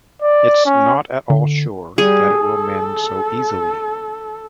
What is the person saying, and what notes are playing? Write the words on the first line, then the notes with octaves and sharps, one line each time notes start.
It’s not at all sure that it will mend so easily.
D5
C#4
D3
G3 G#4
A4